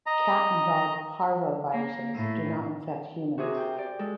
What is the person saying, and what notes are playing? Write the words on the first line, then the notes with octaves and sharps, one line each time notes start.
Cat and dog parvoviruses do not infect humans.
D#5 A#5
A#3
A2
C3 F#4 G#4 A#4
C5 G5
G4 D5
G#3 A4